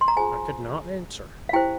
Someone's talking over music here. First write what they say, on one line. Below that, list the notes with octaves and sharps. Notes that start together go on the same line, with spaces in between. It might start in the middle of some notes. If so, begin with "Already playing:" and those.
I could not answer.
C6
A#5
F4 G#4 C5 G#5
F5
E4 G4 C5 G5